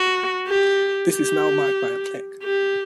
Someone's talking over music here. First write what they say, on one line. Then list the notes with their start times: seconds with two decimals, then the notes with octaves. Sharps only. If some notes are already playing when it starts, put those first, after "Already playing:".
This is now marked by a plaque.
Already playing: F#4
0.48 G4
1.13 G4
2.43 G4